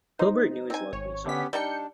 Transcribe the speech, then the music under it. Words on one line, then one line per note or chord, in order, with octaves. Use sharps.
Hilbert knew his luck when he saw it.
D#4 C5
C4 G#5
G#1 C#5
D3 B3 C#4 G4 B6
G3 D4 D#4 G5 G6 C#7